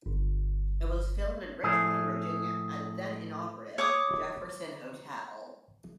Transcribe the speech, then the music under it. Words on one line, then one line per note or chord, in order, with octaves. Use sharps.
It was filmed in Richmond, Virginia, at the then-inoperative Jefferson Hotel.
G1
A2 F3 A3 G#4
C#5 D6 D#6